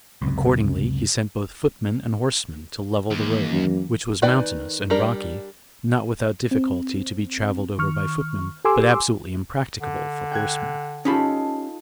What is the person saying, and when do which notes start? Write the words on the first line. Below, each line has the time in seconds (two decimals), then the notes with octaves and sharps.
Accordingly, he sent both foot-men and horsemen to level the road, which was mountainous and rocky, not without difficulty to be traveled over by footmen, but absolutely impracticable for horsemen.
0.22 C#2 F#2 C3
3.11 D#2 E3 A#3
3.51 F#2
4.22 D#3 B4 D5 G5 G#5
4.90 G3 D4 A#4
6.51 C4
7.78 D#3 C#6 F6
8.65 G4 A4 G#5 C6 D6 E6
9.81 D3
10.32 G5 F#6 G#6
11.05 C#4 D#4 F4 G4 A4 B5